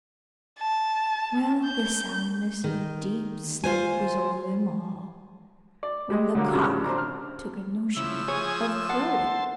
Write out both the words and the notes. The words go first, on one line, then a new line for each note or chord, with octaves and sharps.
Well, the soundness of deep sleep was over them all, when the cock took a notion of crowing.
A5
G6
D#3
F4 C5 G#5
D5
G3 G#3 D#5
D3 F#3 G3 A#3
G#2 C#3 F3 G3 D6
C4 D4 A#5
F6
C#3 F3 E4 E6
G#4 C#5 G#5 D#6
F#5 A5 C6